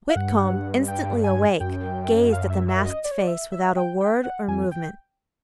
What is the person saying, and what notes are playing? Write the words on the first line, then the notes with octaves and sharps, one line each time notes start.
Whitcomb, instantly awake, gazed at the masked face without a word or movement.
F5
G2 F#5
G5
G#5
F#2 G5
F5
E5
E5
D#5
D5
C#5
D5
E5
E5
G5
G5
F#5
F2 G#5
G5